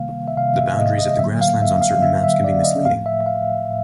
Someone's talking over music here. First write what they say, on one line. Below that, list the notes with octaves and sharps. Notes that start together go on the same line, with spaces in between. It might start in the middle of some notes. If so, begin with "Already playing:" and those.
The boundaries of the grasslands on certain maps can be misleading.
Already playing: C3 D#3 G3 A#3 F5
E5
C3 D#3 G3 A#3 F5
E5
D#5
D#5
D3 F#3 A#3 E5
F5
E5
F5
D3 F#3 A#3 E5
E5
D5
D#5
A2 F3 A3 F5
E5
F5
A2